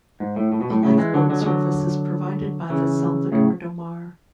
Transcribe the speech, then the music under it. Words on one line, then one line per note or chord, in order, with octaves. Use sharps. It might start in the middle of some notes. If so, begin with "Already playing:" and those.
A lifeboat service is provided by the "Salvador do Mar".
G#2
A2
A2
B2
A2
A2 C#3
E3 G#3
D3 F#3
D3 F#3
G#3
D3 F#3
C#3 E3
A2 C#3